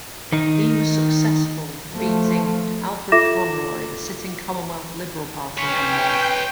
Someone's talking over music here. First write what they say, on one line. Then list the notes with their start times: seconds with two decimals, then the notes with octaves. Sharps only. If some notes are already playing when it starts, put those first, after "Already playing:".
He was successful, defeating Alfred Conroy, the sitting Commonwealth Liberal Party member.
0.32 D#3 D#4
1.92 F3 A3
3.12 F4 A4 E5 D6 A#6 E7
5.58 C#4 B4 C#5 G5